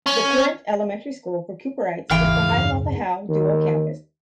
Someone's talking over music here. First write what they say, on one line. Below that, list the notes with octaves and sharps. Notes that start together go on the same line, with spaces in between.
The current elementary school for Cooperites is the Hiawatha-Howe dual campus.
C#4
G1 D#2 G#2 C#3 E3 F5 G5
F#2
D#2